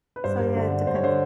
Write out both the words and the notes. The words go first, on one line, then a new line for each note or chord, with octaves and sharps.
So yeah, it depends.
B4
G2 C5
G2
D3
D3
G2 C5
C#5
D3 C5